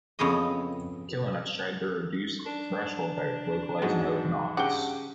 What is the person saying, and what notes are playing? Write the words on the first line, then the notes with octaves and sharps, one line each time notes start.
Kilinux tried to reduce the threshold by localizing Open Office.
F2 C#3 B3 G#4 D#5
D4
G#2 F#3 G#3
G2 C#3 F#5 G5 D6